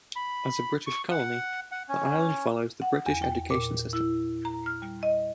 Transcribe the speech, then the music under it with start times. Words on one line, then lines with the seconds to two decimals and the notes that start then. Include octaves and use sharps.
As a British colony, the island follows the British education system.
0.16 B5
0.87 C#6
1.11 F#5
1.72 F#5
1.89 C#4
2.82 F#5
3.06 E2
3.22 G5
3.50 A#2
3.93 E4
4.45 A#5
4.66 F6
4.82 G3
5.03 D#5